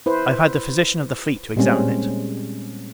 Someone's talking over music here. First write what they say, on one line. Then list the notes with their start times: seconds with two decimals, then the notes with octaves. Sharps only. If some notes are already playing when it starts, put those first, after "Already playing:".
I have had the physician of the fleet to examine it.
0.06 E4 B4 C5
1.56 A#2 G3 G#3 C4 C#4